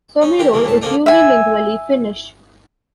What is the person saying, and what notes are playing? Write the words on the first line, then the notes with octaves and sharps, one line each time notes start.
Somero is unilingually Finnish.
C#4 D#4
E3 G4 A#4
C2 B2 D3 E3 A#3
D2 A2 A5
D3 D#3 F3 A#3 D4 D#4
E5 G#5